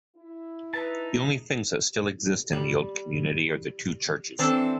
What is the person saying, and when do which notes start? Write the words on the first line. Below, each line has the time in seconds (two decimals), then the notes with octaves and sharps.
The only things that still exist in the old community are the two churches.
0.15 E4
0.74 D#4 B4 E5 A5
2.53 G3
4.39 E3 C4 D4 A4